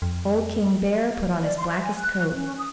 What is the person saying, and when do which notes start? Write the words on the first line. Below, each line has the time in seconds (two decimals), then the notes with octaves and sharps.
Old King Bear put on his blackest coat.
0.02 F2
1.42 D5
1.56 C6
1.68 E5
1.84 G#5
1.98 F#6
2.33 C#4
2.58 D#6